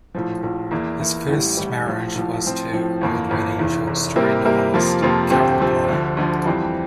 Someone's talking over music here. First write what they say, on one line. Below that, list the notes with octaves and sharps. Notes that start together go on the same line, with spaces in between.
His first marriage was to award-winning short story novelist Carol Bly.
A#1 A2 F3
A#1 A2 F3
E2 E3 A#3 E4
E2 E3 A#3 E4
A1 A2 E3 G3
A1 A2 E3 G3
A#1 A2 F3
A#1 A2 F3
A2 F3 C4
A2 F3 C4
G1 F2 E3 A#3
G1 F2 E3 A#3
F1 E2 E3
F1 E2 E3
C3 G3 A#3 E4 A#4
C3 G3 A#3 E4 A#4
F2 C3 F3 A#3 F4
F2 C3 F3 A#3 F4
D2 C3 F3 C4 G4
D2 C3 F3 C4 G4
D2 D3 F3
D2 D3 F3
F2 E3 G3 C4 G4